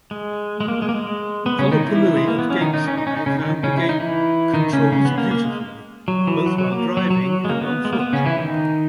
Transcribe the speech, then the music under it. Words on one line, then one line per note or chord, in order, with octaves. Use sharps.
Alupului of GameSpy found the game "controls beautifully", both while driving and on-foot.
G#3
G#3
A#3
G#3
A#3
G#3
B3
C#3 C#4
D#3 D#4
E3 E4
G#3
A#3
B3
C#4
D#3 D#4
D#3 D#4
C#4
D#4
C#4
D#4
C#3 C#4
D#3 D#4
C#3 C#4
E4
D#4
E3 E4
D#3 D#4
C#3 C#4
C#3 C#4
B3
A#3
A#3
G#3
F#3
E3
F#3
F#3
A#3
F#3
F#3
F#3
G#3
A#3
B3
G#3
A#3
B3
C#3 C#4
E3 E4
D#3 D#4